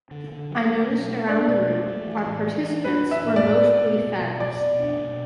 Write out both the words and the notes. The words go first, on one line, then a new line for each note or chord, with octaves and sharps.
I noticed around the room our participants were mostly femmes.
D3
D3
F#3
F#3
B2
A3
D4 D5
B2
A3
A3
E3
A2
E3
D4
D4 B4
E3
E5
A2
D5
A2
B3
B2
B2
B2
B2 D5
B2
D4
B2